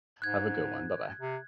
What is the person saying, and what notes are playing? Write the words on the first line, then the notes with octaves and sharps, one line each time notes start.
Have a good one. Bye-bye.
G#2 F#6 G#6
C3